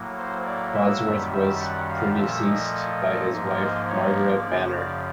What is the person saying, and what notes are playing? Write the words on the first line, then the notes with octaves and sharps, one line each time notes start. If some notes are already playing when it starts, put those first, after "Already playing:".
Bodsworth was predeceased by his wife Margaret Banner.
Already playing: A2 F#3 A#3
C5
D5
E5
F#2 D#3 G3
E5
F#5
F5
A#2 F3 A3 E5
D#5
G#2 F3 A#3
D#5
C#5
D5
F#2 C#3 F3
D5